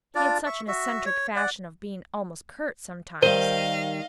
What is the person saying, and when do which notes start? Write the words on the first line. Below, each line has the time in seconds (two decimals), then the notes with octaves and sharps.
He had such an eccentric fashion of being almost curt sometimes.
0.15 D4 F4 D5
0.46 E5 C#6
0.68 F#4 E5
1.05 C#5
1.36 D5 F#5
3.22 D#3 G3 A#4 C5 D#5 F5 D#7 G7